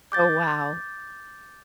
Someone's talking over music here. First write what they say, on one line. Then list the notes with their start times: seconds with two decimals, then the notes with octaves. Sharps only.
Oh, wow.
0.12 D6 G6 A6